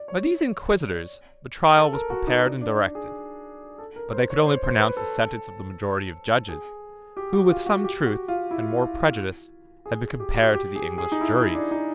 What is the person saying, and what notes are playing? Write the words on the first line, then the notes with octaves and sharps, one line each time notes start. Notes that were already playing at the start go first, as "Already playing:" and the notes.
By these inquisitors the trial was prepared and directed; but they could only pronounce the sentence of the majority of judges, who with some truth, and more prejudice, have been compared to the English juries.
Already playing: D5
C#5
A4
A#4
F#4
D#4
D4
D4
D4
G#4
A4
A#4
C5
C#5
C5
C5
B4
A4
G#4
G4
F#4
F4
F#4
G4
F#4
F4
E4
G#4
G#4
G4
F#4
G4
G#4
G#4
D#4
E4
E4
D4
D#4